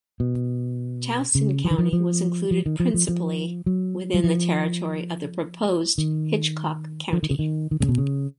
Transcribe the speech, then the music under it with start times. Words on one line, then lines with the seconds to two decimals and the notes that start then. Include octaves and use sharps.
Towson County was included principally within the territory of the proposed Hitchcock County.
0.20 B2
1.35 C#3
1.65 F3
1.71 D#3
1.78 F3
1.93 F3
2.51 F3
2.66 D#3
2.80 F3
2.94 F3
3.08 F3
3.66 F#3
4.14 F#3
4.24 F3
5.98 D#3
7.13 F3
7.23 D#3
7.30 C#3
7.39 D#3
7.71 D#3
7.80 C#3
7.89 B2
7.98 C#3